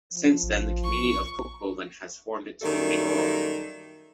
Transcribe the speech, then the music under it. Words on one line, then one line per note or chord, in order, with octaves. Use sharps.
Since then, the community of Kückhoven has formed its own Mayoralty.
F3
A1
A#1 C#6
F#2 D#3 G3 A#3 A4 E5